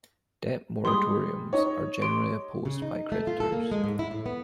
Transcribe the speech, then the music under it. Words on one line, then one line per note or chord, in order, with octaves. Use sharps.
Debt moratoriums are generally opposed by creditors.
G3 G#3 C6 D#6
D#4 C#5
G4 C6 D7
C#3
D#4
A3
F4
A4
A#3
G#3
G#2
E4
A2
B3